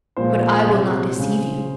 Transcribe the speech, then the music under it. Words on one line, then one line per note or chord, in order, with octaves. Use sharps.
But I will not deceive you.
A#2 F3 G#3 C5
C3 F#3
C#3 G#3